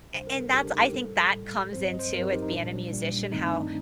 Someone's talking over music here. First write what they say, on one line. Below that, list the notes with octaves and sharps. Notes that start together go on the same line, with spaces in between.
A and that's I think that comes in, too, with being a musician, how,
D2 C3 G3 D4 C5
A#4
A4
D2 C3 G3 D4 G4
D4
D#4
G4
A#4
A1 A2 G3 A4
A1 A2 G3
G2 F#3 C4 C5
D#5
C5
G2 F#3 C4 A#4
G4
D#4
D#4
A#1 A#2 G3 D4
A#1 A#2 G3
G2 D#3 A3 C4 D#4
D4